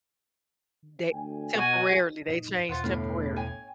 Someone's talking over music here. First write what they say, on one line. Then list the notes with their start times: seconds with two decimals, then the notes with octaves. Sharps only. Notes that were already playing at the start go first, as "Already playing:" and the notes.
They temporarily, they change temporarily.
1.11 D2 G5 G#5
1.55 B2 F#4 G#5
2.27 F#2 A#2 D#4
2.69 E2 B2 F4 C5 F#5
2.84 G1 A2 F5
3.36 C#5 G5 G#5